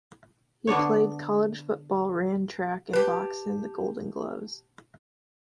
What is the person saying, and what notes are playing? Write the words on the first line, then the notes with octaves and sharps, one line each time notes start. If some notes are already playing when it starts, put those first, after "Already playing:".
He played college football, ran track and boxed in the Golden Gloves.
D3 B3 D4 C#5
G4 B4 A5